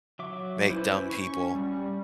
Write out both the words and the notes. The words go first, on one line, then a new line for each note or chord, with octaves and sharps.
make dumb people,
F#3 E5 D6
C#4 E4 B4 C5
C#4 C#6
G3